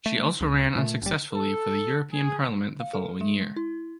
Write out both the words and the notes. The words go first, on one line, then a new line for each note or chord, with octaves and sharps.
She also ran unsuccessfully for the European Parliament the following year.
A3
C#2
A#2 A3
F#1 G3
A4
G#4
F5
A4
G#3
E4